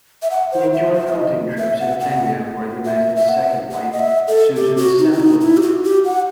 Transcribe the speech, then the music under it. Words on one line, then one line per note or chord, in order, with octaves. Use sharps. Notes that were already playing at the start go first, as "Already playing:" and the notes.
He enjoyed hunting trips in Kenya, where he met his second wife, Susan Semple.
E5
F#5
C5
E5
C5
E5
D#5
E5
F#5
F#5
E5
E5
F#5
F#5
D#5
E5
A4
G4
F#4
D#4
E4
D#4
E4
G4
F#4
G4
F#5